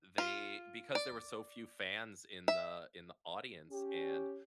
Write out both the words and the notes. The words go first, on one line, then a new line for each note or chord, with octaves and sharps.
they because there were so few fans in the in the audience and,
F4
D5
E5
C#4 G4